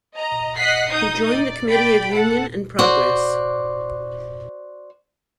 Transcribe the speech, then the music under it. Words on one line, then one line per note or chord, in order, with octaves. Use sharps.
He joined the Committee of Union and Progress.
D#5 A#5
D#5 F#5 F#6 B6 C7
D#4 D#6 G6
D5
D5 G5 B5 B6 D7
A4 F#5
F#4 C5 D5